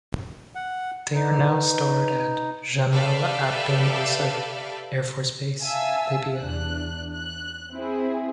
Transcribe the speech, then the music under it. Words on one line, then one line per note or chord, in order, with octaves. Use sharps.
They are now stored at Jamal Abdelnasser Air Force Base, Libya.
F#5
D#4 B4
G4 A4 B4 D5 E5 F5
E5 F5 G#5 A5 E6
E2 D4 F#6
F#6
C4 E4 G#4